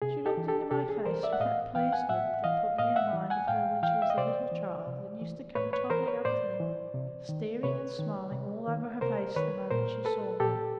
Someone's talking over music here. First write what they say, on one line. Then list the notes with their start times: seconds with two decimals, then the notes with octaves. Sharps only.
She looked into my face with that pleased look that put me in mind of her when she was a little child and used to come toddling up to me, staring and smiling all over her face the moment she saw me.
0.02 C3 G#4
0.26 G4 A4
0.37 E3
0.48 G4 A4
0.71 C3 G4 A4
0.89 G#4
1.05 E3 A#4 C5
1.23 D5 E5
1.33 F#5
1.40 A2 D#5 F5
1.75 E3 F5 G5
1.92 F#5 G#5
2.09 A2 E5 F#5
2.44 E3 D#5 F5
2.79 A2 D#5 F5
2.96 E5 F#5
3.13 E3
3.30 F#5 G#5
3.48 A2 F5 G5
3.82 E3 F5 G5
4.02 E5
4.10 D#5
4.17 C3 C5 D5
4.52 E3
4.87 C3
5.21 E3
5.55 A2 B4 C#5
5.73 B4 C#5
5.90 E3 A#4 C5
6.07 B4 C#5
6.25 A2 C5 D5
6.60 E3
6.94 C3
7.29 D#3
7.63 C3 B4 C#5
7.99 D#3
8.32 C3
8.67 D#3
9.01 C3 A#4 C5
9.36 D#3 B4 C#5
9.70 A#2 A#4 C5
10.05 A4 B4
10.40 A#2 G4 A4